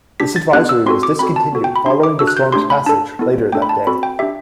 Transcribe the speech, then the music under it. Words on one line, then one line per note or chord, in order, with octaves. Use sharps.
This advisory was discontinued following the storms' passage later that day.
D4 G4 B6
A6
B3 D4 G4 F#6
E6
C4 F#4 A4 C6
D6
C4 F#4 A4 B5
A5
B3 F#4 A4
G5
B5
D4 G4 C6
D6
D4 F#4 A4 E6
F#6
G6
A3 D4 G4 C6
B5
D4 A4 A5
B3 E4 A4
A3 D4 A4 G5
B5
A5
C4 F#4 A4 B5
G5
D4 G4 E5